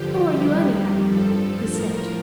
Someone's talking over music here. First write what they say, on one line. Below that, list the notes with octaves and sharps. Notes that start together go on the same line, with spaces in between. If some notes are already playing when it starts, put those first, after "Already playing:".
"Who are you, anyhow?" he said.
Already playing: G2 D3 F3 G4
F2 D#3 G3
G2 F3 A4
A2 F3 A#4